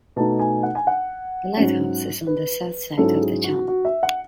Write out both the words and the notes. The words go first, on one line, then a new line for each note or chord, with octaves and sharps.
The lighthouse is on the south side of the channel.
B2 A3 D#4 A5
G#5
F#5
G#5
F#5
G#2 F#3 C#4
B4
G#2 F#3 C#4 E4 A4
G#4
F#4
F#4
E5
F#5